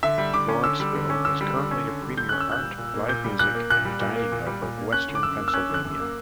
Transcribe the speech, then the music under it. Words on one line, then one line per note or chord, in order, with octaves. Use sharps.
Lawrenceville is currently a premier art, live music, and dining hub of Western Pennsylvania.
D3 E5
G3
D3 D6
C#4
D3 E6
G3
D3
C#4
D3 E6
G3
D3
C#4
D3
G3
D3 G6
C#4 F#6
E6
A#2 F#6
G3
A#2
A#3
A#2 G6
G3
A#2 F#6
A#3
A#2 F#6
G3
A#2
A#3
A#2
G3
A#2
A#3
C#4 F#6
D3
D6
F#2 E6
A#3
E6
C#4 F#6
D3 F#6
F#2
A#3